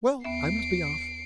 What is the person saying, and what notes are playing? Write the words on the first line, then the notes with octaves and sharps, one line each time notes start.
Well, I must be off.
D#2 B3 E5 C7 D7